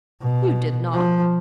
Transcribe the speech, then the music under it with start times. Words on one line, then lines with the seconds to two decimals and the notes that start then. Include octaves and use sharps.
"You did not."
0.21 B2
0.93 F3